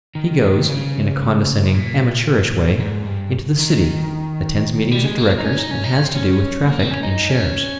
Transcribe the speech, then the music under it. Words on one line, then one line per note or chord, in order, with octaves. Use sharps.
He goes, in a condescending amateurish way, into the City, attends meetings of Directors, and has to do with traffic in Shares.
D#3
D#3
C#3
A#2
G#2
G2
D#3
G3
G#3
A#3
D#4
C#4
D#4
C#4
D#4
C#4
C4
C#4
A#3
C4
C#4
D#4
C#4